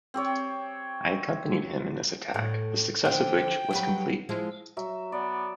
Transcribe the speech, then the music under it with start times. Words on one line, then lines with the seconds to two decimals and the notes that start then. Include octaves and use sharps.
I accompanied him in this attack, the success of which was complete.
0.14 C4 G4 C#5
2.34 A2
3.05 D3 F3 G5
3.71 F#3 G3 B4
4.29 F3 G#3 E4
4.77 F#3 E5
5.12 B3 D5